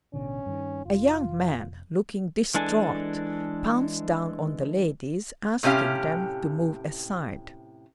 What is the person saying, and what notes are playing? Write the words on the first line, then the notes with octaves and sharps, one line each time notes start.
A young man, looking distraught, pounced down on the ladies, asking them to move aside.
A1 B2 D3 C#4
G2 D#3
F1 F4
E3 G#3 D4 A4 G#5
A2 C3 C#4 G4 F5